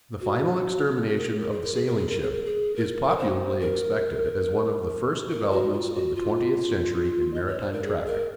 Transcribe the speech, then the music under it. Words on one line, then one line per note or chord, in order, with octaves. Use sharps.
The final extermination of the sailing ship is popularly expected as one of the first developments of the twentieth century in maritime traffic.
F#4
G#4
A#4
G#4
A#4
G#4
A#4
G#4
A#4
G#4
A#4
G#4
A#4
G#4
A#4
A#4
C5
A#4
A#4
F#4
F4
F#4
F4
D#5
C#5
C5
A#4
G#4
A#4